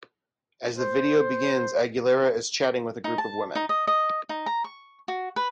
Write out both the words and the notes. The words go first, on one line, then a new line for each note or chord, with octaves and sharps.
As the video begins, Aguilera is chatting with a group of women.
C5
D#4
A5
D#4
D#5
D#5
D#4
A#5
C#6
F#4
B4